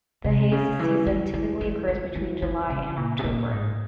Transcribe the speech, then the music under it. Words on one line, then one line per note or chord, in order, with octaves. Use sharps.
The haze season typically occurs between July and October.
C3
C#3
E3
E3
E3
E3
E3
E3
E3
C#3
A#2
C3
A#2
G#2